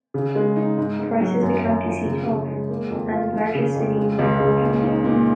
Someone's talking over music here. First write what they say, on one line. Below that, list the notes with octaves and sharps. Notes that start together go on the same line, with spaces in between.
Price is the county seat of, and largest city in, Carbon County.
C#3
G#3
D#4
G#2
G#2
F#3
F#2
F#2
F3
C#3
C#3
G#3
A#3
F2
F4
F3
C#3
F2
G#3
C#2
C#3
A#2
D#4
A#2